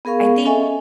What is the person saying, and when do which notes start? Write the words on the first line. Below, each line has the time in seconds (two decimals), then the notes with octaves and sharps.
I think
0.05 B3 G#4 A#4 F5 C#6
0.45 C#4 A4 D#5 E5 G#5 C#6